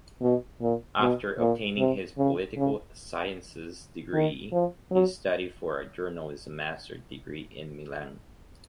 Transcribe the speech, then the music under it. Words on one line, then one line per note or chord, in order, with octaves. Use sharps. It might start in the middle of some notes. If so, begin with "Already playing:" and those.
After obtaining his Political Sciences degree, he studied for a Journalism Master Degree in Milan.
B2
A#2
B2
A#2
C3
C#3
C#3
D#3
F3
F#3